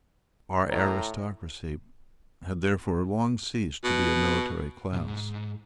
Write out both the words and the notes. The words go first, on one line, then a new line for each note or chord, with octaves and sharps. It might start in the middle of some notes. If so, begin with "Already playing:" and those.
Our aristocracy had therefore long ceased to be a military class.
A2 A#5
B2
B1 G#2